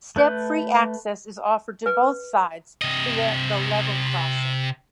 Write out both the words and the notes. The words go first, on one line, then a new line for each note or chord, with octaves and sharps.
Step-free access is offered to both sides via the level crossing.
A3 B4 G6
B4
C3 D#5